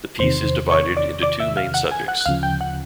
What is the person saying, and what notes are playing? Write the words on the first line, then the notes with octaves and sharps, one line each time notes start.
The piece is divided into two main subjects.
E2 C3 D#3 C5 C6
C#5 C#6
D5 D6
D5 D6
E5 E6
F5 F6
F#5 F#6
G#5 G#6
F#5 F#6
F#6
D2 C#3 F3 F5 F6
G5 G6
F#5 F#6